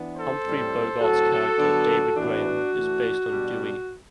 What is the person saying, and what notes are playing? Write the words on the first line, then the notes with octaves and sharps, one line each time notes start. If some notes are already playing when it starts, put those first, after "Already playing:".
Humphrey Bogart's character, David Graham, is based on Dewey.
Already playing: E3 B3 D4
A4 C5
A2 G3 C4
A2 F#3 C4 F#4 A4
D3 F#3 B3 D4
A2 E3 B3 D4 F#4
E3 A3 D4
B2 G3 B3 D4